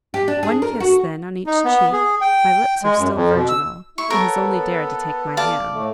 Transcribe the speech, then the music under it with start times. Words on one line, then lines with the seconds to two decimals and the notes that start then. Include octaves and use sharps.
One kiss, then, on each cheek--my lips are still virginal, he has only dared to take my hand.
0.14 G4
0.28 D4
0.43 G#4
0.62 A#4
0.80 F#4
1.47 D#4
1.65 B3
1.93 G#4
2.21 G5
2.83 G#3
2.98 F#2
3.15 F2
3.34 B2
3.49 E6
3.98 E4 C#6
4.10 B3 A4 A#4 C#5
5.37 D5 F5 A5
5.74 A2 A3